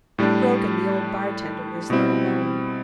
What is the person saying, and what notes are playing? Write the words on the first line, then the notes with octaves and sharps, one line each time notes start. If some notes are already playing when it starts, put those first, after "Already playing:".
Grogan, the old bartender was there alone.
A2 G3 D4
B2 G3 C4 E4